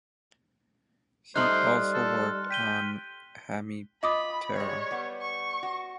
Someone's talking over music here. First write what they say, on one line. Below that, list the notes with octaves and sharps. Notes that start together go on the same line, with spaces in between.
He also worked on Hemiptera.
G3 A3 D#4 C5 C6 F6 F#6
A4
G5 B6 D#7 G7
F4 D#5 B5 D6 D#6
G3 G#3 C#5
G3 B3
C#6
F#4